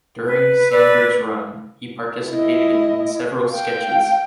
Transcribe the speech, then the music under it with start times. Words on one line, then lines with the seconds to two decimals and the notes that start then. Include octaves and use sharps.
During Sanders' run, he participated in several sketches.
0.25 B4
0.71 B4 D5 D6 E6
2.29 E4 D#5
3.51 F5 G5